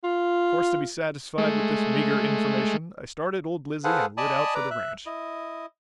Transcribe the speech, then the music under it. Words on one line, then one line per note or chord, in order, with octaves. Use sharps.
Forced to be satisfied with this meager information, I started old Lizzie and lit out for the ranch.
F4
G#3 A3
G#4 A4 B4 C5 F5 F#5
D5 D#5 G#5 A5 B5 D#6
B4 D5 A#5
E5 F#6
E4 D#5